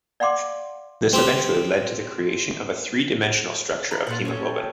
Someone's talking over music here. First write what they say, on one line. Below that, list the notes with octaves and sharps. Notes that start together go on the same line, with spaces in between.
This eventually led to the creation of a three-dimensional structure of haemoglobin.
D5 F5 F#5 C6 D6
C4 G4
A#5 B5
A#2 F4 F#5
C#4 A4 C#5
G5